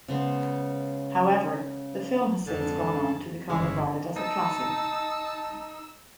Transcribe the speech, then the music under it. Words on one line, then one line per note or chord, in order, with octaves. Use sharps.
However, the film has since gone on to become regarded as a classic.
C#3 G#3 B3 C5
F2 G#2 D3 A5
G1 F2 C#3 E3 G#3
D#4 D#5 A5 E6